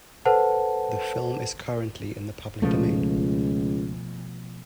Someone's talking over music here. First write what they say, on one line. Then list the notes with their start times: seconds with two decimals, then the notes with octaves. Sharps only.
The film is currently in the public domain.
0.25 A4 B4 C5 F#5 A5
2.62 C#2 B2 F3 A3